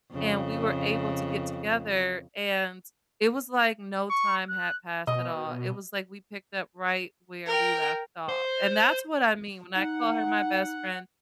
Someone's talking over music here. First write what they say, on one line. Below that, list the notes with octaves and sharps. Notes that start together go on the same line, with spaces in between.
and we were able to get together. And it was like no time had passed at all, it was, like, we picked up right where we left off. And that's what I mean when I call her my best friend.
F2 C#3
C#6
F#6
B2 D#5
A#4 G5
C5
D#4 F#5